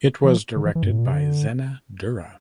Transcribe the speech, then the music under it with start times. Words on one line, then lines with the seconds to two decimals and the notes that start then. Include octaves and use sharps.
It was directed by Zeina Durra.
0.24 E3
0.28 F3
0.56 D3
0.65 E3
0.75 E3
0.83 G2
0.91 A2
0.98 A#2
1.06 C3
1.13 D3